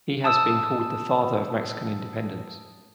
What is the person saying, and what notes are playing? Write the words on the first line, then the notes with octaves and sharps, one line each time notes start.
He has been called the "father of Mexican independence".
A5 D#6 E6